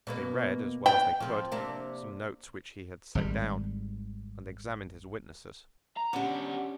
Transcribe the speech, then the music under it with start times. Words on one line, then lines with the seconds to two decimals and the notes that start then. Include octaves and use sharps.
They read as well as they could some notes which he had set down, and examined his witnesses.
0.07 B2 A#3 B3
0.86 B3 G5
1.20 F3 C4
1.52 C3 A#3 D4
3.15 G#1 G3
5.97 A#5
6.13 B3 C#4 D4 G4 F#5